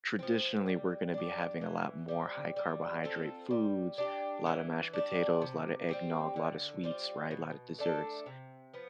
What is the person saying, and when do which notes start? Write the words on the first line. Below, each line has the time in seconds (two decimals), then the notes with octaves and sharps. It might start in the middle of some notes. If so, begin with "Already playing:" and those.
traditionally, we're gonna be having a lot more high carbohydrate foods; a lotta mashed potatoes, lotta eggnog, lotta sweets, right, lotta desserts.
0.19 F3 C4
0.66 G3
1.14 D4 G4
1.61 E3
2.08 G3 C4
2.56 G3
3.04 C4 F4 A4
3.51 G3
3.98 D4 G4
4.46 E3
4.93 G3 D4
5.42 C3
5.89 G3 C4 G4
6.36 D3
6.83 G3 C4 F4
7.31 B2
7.79 A3 D4 A4
8.26 C3
8.74 F3 B3